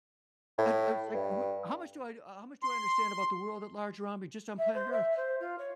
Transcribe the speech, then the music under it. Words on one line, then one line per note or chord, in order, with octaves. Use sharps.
I d I was like, what how much do I how much do I understand about the world at large around me just on planet Earth?
A2
G2
C6
E5
C5
E5
C5
F4
C#5